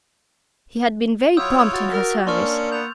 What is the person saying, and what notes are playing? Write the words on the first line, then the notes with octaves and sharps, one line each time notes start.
He had been very prompt in her service.
F#3 E4 F4 C#5 D#6 E6 G6
F#4 F6 A6
A#4
A#3 C#4 D4 C6 C#6 F6
B3 G6 F7